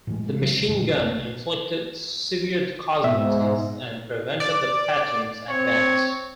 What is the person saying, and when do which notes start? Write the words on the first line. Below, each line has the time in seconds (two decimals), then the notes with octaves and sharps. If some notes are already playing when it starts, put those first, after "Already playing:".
The machine gun inflicted severe casualties and prevented the platoon's advance.
0.07 A2 E3 G#3
0.41 A#1 C#3 F#3 G#3
0.68 F#2 A#2 D3
0.98 A#1 C3 A3 A#3
3.04 G#2 B2 E5
4.40 D5
5.49 C4 C#5